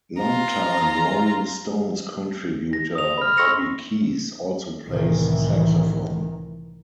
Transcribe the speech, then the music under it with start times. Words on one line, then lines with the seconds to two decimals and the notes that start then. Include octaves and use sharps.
Longtime Rolling Stones contributor Bobby Keys also plays saxophone.
0.18 F4 A#5
2.73 A#6
2.95 D#6 F7
3.18 B5 F6
3.37 C6 C#6 E6 A#6 C#7 F7
4.87 C2 A2 D#3 E3